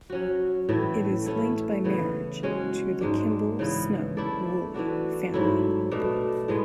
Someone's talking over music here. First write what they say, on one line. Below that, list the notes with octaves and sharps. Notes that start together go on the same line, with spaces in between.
It is linked by marriage to the Kimball-Snow-Woolley family.
F#3 C#4 F#4
A2 E3 A3 E4
A3 C#4 E4
C#3 E3 B3
G#3 C#4 F#4
G#2 G#3 D4
C#3 E3 B3
A3 E4 A4 D5
E3 A3 D4 F#4
G#2 F#3 A3 E4
B2 A3 D4
A2 G#3 B3